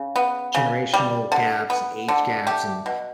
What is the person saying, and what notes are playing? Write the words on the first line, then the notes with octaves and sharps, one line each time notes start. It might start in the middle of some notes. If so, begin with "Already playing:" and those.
generational gaps, and age gaps, and,
Already playing: C#3
B3
C#3
G3
D3
B3
D3
A3 G4
B2